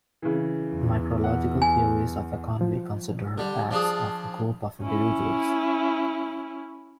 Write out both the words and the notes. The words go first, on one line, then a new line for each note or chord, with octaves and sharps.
Micrological theories of economy consider acts of a group of individuals.
C#3 E3
E2
F#5
G#5
F3
D3 G3
F3 D4 F4 G#4
C#4 E4